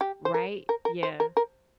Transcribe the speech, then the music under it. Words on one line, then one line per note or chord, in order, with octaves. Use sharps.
Right? Yeah.
G4
C5
A#4
A#4
A#4
C5
A#4
A#4